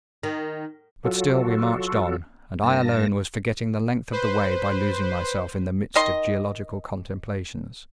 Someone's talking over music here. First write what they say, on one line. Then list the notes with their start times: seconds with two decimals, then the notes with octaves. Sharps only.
But still we marched on, and I alone was forgetting the length of the way by losing myself in the midst of geological contemplations.
0.23 D#3
1.05 F#3 F4 F#4 A4
2.64 G2 A#3 A5 A#6
4.12 B4 C5
5.96 D#3 D#5 C6